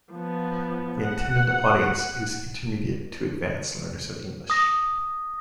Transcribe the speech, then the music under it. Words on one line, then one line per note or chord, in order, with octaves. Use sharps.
The intended audience is intermediate to advanced learners of English.
F3 B3
F#5
D#6 A#6